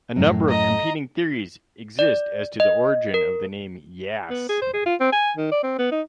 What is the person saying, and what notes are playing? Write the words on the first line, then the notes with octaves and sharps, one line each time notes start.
A number of competing theories exist as to the origin of the name "Yass".
F#2 A2
D#5 A#5
D5
D#5
A#4
B3
G#4
C5
G#4
F4
C4
G#5
D#3
D5
C4
B3
D#4